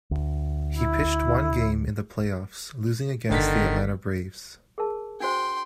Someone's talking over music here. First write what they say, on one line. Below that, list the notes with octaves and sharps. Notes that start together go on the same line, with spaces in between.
He pitched one game in the playoffs, losing against the Atlanta Braves.
D2
E4
G1 D3 D#3 A6 B6
G#4 A#4 A5
D4 F#4 C5 G5 C6